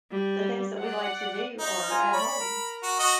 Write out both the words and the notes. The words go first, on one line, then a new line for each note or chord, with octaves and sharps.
the things that we like to do are at home,
G3
D5 F#5
D#4
F4 G#5 A#5
C#5 D5 B5
A#4 A#5
F#4
F#4 D#5